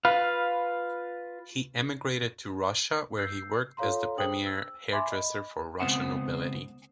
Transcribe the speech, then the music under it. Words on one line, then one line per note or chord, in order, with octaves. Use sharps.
He emigrated to Russia, where he worked as the premier hairdresser for Russian nobility.
F4 B4 F5
E6 G6 C7
F4 A4 C#5 F5 A#5 C6
D4 G#4 C5 G5 D#6 F#7
E6
E5 G#5 B5 C6 D6
D#5 B5
C#2 G2 B3 C4 C5 F#5